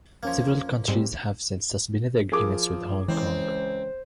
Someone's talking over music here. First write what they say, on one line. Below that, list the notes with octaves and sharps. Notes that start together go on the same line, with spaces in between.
Several countries have since suspended the agreements with Hong Kong.
E2 F3 A#3 C#4 G#6
G#2 G3 C4 G4
F3 G#4 A#4 D6
C#2 E3 C4